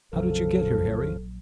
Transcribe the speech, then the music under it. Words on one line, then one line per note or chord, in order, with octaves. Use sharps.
How did you get here, Harry?
A#1 F2 C#3 F3 F#3 A4